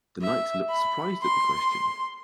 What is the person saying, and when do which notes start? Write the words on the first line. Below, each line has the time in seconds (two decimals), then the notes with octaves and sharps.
The Knight looked surprised at the question.
0.21 E5
0.69 B5
1.22 C6